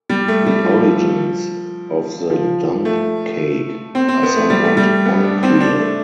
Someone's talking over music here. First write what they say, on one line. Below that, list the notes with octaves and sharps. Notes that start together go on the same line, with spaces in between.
The origins of the dump cake are somewhat unclear.
G3
A3
G3
F3
F3
A3
C4
C4
B3
A3
G3
A3
G3
B3
D4
C4
D4
A3